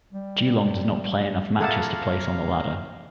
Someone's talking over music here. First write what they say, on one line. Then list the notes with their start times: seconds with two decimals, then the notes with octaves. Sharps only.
Geelong did not play enough matches to place on the ladder.
0.13 G3
1.60 A#2 E4 G#4 A4 F5 F#5 A5 A#5